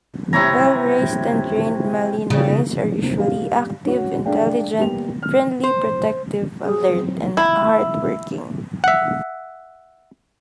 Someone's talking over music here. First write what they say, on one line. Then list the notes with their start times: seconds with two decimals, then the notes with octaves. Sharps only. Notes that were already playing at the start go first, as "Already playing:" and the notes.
Well-raised and trained Malinois are usually active, intelligent, friendly, protective, alert and hard-working.
0.33 C3 E4 C#5 A#5
2.30 C#3
3.01 D#2 C3
3.18 G3 F5
3.85 C#4 F#4
4.25 A3 D4 G#4 F5 G5
4.79 G3 A#3 B3 G4 F7
5.22 F6
5.63 C5
6.63 F#3 C4 G#4
7.37 E4
8.84 E5 F#5